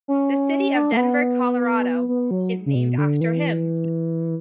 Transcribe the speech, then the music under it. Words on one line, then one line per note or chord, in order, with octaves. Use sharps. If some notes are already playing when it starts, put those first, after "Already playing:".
The city of Denver, Colorado, is named after him.
C#4
D4
A3
B3
B3
F#3
C#3
B2
D3
E3